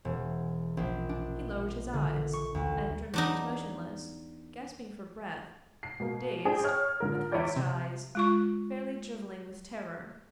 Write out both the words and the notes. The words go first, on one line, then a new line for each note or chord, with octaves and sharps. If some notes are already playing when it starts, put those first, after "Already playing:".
He lowered his eyes--and remained motionless, gasping for breath, dazed, with fixed eyes, fairly driveling with terror.
E1
A#1
D4
D3
C#6
D2
E2 D4 D#4
C7
B2 A#3
C4 D4 G#4 G5 G#5 D#6
C#5 F6
A#2 D3 A#4
E2 E4 C#5 D5 G6
C3
G#3 F4 C#6